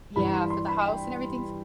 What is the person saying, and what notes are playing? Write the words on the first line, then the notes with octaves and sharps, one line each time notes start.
yeah, for the house and everything.
G2 E3 G3 B5
C6
C6
B5
G5